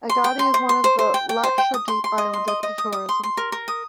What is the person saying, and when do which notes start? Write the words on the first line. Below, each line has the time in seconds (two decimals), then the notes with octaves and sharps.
Agatti is one of the Lakshadweep islands open to tourism.
0.09 C6
0.24 G5
0.39 C6
0.54 C5
0.69 C6
0.84 C5
0.99 C5
1.14 G5
1.29 G5
1.44 C5
1.58 G5
1.74 D#6
1.88 C6
2.04 C6
2.18 D#5
2.33 C6
2.48 D#5
2.63 D#5
2.78 D#6
2.93 D#6
3.09 C6
3.23 C6
3.37 A#4
3.52 A#4
3.68 D#6